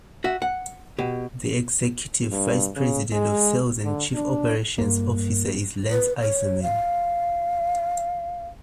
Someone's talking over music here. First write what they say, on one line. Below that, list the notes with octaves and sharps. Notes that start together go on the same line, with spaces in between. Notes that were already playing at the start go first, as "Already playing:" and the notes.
The Executive Vice President of Sales and Chief Operations Officer is Lance Iserman.
F#4 E5
F#5
B2 G4
G2
C#3
G#3
D3
D4
G2 A#3
B4
C#5
F5